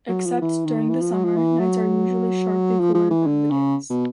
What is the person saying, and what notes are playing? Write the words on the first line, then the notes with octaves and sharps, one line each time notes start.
Except during the summer, nights are usually sharply cooler than the days.
F#3
F3
E3
D#3
E3
F3
F#3
F3
E3
F#3
F3
F3
E3
D3
C#3
B2